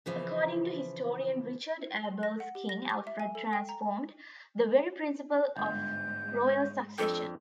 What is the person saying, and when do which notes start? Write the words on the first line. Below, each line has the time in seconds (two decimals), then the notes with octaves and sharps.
According to historian Richard Abels King Alfred transformed the very principle of royal succession.
0.06 C#3 E3 F3
2.23 A#6
2.40 F#5
2.55 G4
2.69 A#6
2.90 D6
3.07 E5
3.20 G#5
3.35 A4
3.53 G5
3.69 A#5
5.56 G1 G#2 G#3 G6
6.98 F2 D4 A4 G5